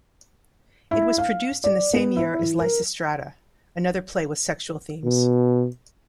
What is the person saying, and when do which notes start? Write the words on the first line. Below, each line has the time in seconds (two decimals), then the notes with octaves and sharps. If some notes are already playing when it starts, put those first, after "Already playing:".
It was produced in the same year as "Lysistrata", another play with sexual themes.
0.91 E4
1.18 F5
1.64 D5
1.93 B3
2.17 E4
2.39 E3
2.59 A#4
5.04 B2